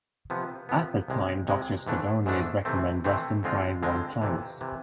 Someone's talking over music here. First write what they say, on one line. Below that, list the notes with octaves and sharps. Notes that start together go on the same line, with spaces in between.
At the time, doctors could only recommend rest in dry, warm climates.
C3 F3 B3
C3 F3 B3
C2 C3 G#3
C2 C3 G#3
G#2 E3 A3 D4
G#2 E3 A3 D4
C3 E3 A3 C4
C3 E3 A3 C4
F2 D3 G#3 C4 F4
F2 D3 G#3 C4 F4
F2 C3 E3
C3 E3